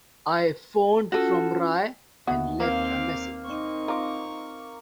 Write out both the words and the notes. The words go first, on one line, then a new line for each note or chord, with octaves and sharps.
I phoned from Rye and left a message.
C#4 F4 F#4 A4
D#2 B3 E4 F#4
A#3 C4 F5
C4 D#4 C#6
F4 A#5 D6